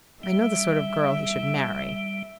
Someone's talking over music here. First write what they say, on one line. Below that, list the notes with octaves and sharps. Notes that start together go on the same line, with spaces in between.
I know the sort of girl he should marry.
G3 E5